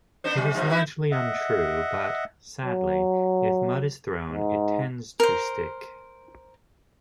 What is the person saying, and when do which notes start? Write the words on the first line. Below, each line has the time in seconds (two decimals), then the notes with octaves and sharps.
It is largely untrue, but, sadly, if mud is thrown it tends to stick.
0.24 B3 D4 C5
0.38 F#3
0.55 G2 B2 F3
0.70 D#4 E4 B4
1.11 D#5 E5 F#5
2.65 F#3
4.29 G#2
5.20 A#4 C5